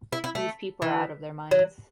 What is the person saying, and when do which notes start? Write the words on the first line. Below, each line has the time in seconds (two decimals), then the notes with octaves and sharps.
These people are out of their minds.
0.12 E4
0.24 E4
0.35 A3
0.82 E3
1.51 F#3